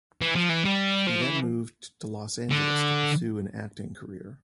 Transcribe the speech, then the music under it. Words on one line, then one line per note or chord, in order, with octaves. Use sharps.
He then moved to Los Angeles to pursue an acting career.
E3
F3
E3
G3
F3
E3
D3